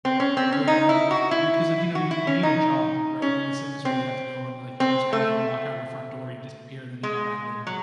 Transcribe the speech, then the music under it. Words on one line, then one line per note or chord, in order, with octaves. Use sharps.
where you 'cause, like, you know, you you need a job, right, in The Sims where you have to go and, like, you, just, kinda, like, walk out your front door, you disappear and then you come back later.
C4
C#4
C4
C#4
D#4
E4
F#4
E4
F#4
E4
C#4
D#4
C#4
C4
C4
A3
G#3
F#3